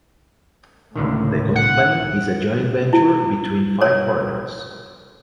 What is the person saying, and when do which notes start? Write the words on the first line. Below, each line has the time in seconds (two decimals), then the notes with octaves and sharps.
The company is a joint venture between five partners.
0.96 C#2 A2 D3 D#3
1.56 F#5
2.93 E4
3.81 C#5